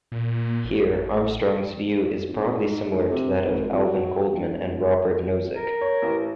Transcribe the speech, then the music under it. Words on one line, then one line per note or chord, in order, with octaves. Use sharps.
Here, Armstrong's view is broadly similar to that of Alvin Goldman and Robert Nozick.
A#2
A1
F1
G#2
D2
C3
G#1
F2
F#3
E1
A#4
C#5
A1